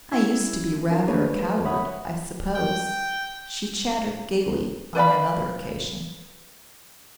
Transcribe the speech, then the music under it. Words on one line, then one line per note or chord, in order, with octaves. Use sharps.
"I used to be rather a coward, I suppose," she chattered gaily on another occasion.
C#4 E4 E6 G#6
C#4 D#4 F4 A#4 F5
A3 A#3 D4 G#4 B4 C#5
G3 G#3 B4
C#5 E5 F#5 B5 D#6
G5
B4 D5 F5 B5